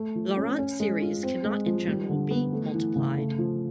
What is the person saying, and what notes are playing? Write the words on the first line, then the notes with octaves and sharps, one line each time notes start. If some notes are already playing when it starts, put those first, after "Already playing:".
Laurent series cannot in general be multiplied.
Already playing: A3
F3
C#4
C#4
G#3
F4
C4
G#3
F3
G3
D3
B3
A3
E3
C#3
A3
F3